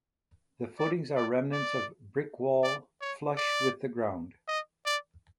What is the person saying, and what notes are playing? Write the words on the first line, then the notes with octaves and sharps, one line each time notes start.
The footings are remnants of brick wall flush with the ground.
D5
D5
D5
D5
C#5
D5
D#5
D5